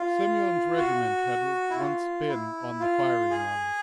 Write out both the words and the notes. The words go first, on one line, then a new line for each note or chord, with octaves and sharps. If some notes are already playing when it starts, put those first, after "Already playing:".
Semyon's regiment had once been on the firing line.
Already playing: F4
F#4
E4
F4
E4
F4
G#4